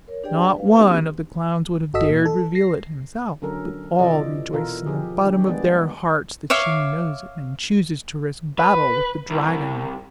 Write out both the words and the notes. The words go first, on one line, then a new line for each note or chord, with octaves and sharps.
Not one of the clowns would have dared reveal it himself, but all rejoice in the bottom of their hearts that she knows it, and chooses to risk battle with the Dragon.
A#4 C#5
D4 G4 G#4 B4 D5 G5
B4 F5
A#3 C4 D4 D#4 F#4 G4
G1 F#4 A4 D#5 E6 B6
A#2
A4
A#6 C7
D3 F#3 C#4 A4 A#4
C3 E3 F4 A4 D5 D#5
B2 E3 F4 A4 A#4
D#3 F3 G4 G#4
D#3 D4 G4
G3 G#3 B3 G#4 D5
C#5 E5 F5 D6
B4
C2